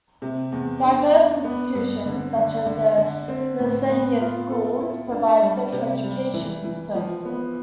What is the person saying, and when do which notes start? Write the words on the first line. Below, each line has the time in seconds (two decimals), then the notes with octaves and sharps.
Diverse institutions, such as the miscellaneous schools, provide social education services.
0.22 C3
0.52 E2
0.83 D4
1.13 D4
1.44 B3
1.75 G2
2.06 D3
2.36 D3
2.66 D3
2.98 D3
3.28 C4
3.59 A2
3.89 B3
4.20 F4
4.50 A4
4.80 E4
5.12 D4
5.42 G3
5.72 C3
6.04 G3
6.34 E3
6.64 E3
6.95 F3
7.25 B3